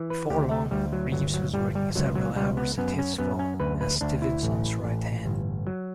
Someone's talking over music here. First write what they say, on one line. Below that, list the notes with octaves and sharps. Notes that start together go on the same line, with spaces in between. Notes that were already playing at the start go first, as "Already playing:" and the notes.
Before long, Reeves was working several hours at Hitsville as Stevenson's right hand.
Already playing: E3
B4
D2 G4
A3
D2 G3
F#3
G1 F#3
F#3
G1 G3
G3
C#2 F#3
F#3
C#2 G3
B3
F#2 B3
C#4
F#2 B3
C#4
D2 B4
B4
D2 D4
E4
A1
A1
G1
F#3